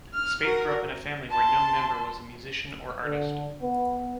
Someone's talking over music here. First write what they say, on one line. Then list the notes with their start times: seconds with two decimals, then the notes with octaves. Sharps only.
Spaeth grew up in a family where no member was a musician or artist.
0.14 F6
0.45 F#4 A#4
1.30 A5 C6
3.02 D3
3.61 B3